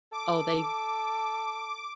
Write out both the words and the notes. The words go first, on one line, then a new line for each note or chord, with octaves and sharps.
Oh, they
A4 D6